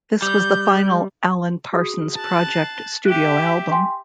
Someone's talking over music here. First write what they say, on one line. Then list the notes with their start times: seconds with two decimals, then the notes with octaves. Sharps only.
This was the final Alan Parsons Project studio album.
0.22 G3 G6
1.73 F#4 G#4 D#6
2.15 A5 F#6
2.52 C7
3.05 G4 E5 F#6 D7
3.71 G5 G#5 C6